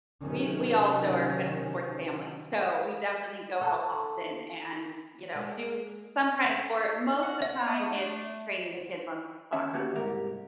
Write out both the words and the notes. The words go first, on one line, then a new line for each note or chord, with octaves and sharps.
we, we also are kind of a sports family, so we definitely go out often and, you know, do some kind of sport. Most of the time, it's training the kids on soccer,
C3 D#3 F#3 C#4
A4
G#3
F#5
E5
B3 D#5
A3 D4
D#3 C#4 C#5 E5
D#3 A#3 F#4 G4
C2 G#2 G4 A#4